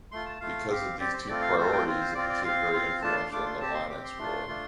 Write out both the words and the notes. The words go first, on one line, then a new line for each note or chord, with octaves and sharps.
Because of these two priorities it became very influential in the Linux world.
A3 F4 C6
A5
A3 F4 F5
C4 G4 F5
C4 G4 D5
C5
A3 C4 F4 D5
F5
A3 C4 F4 C5
G5
C4 F4
C5
C4 F4 D5
D5
C4 F4 F5
C4 F4
A3 D4 F4 A5
C6
A3 D4 F4 D6
C6
C4 G4 A5
C6
C4 G4 D6
C6
A3 D4 F4
A3 D4 F4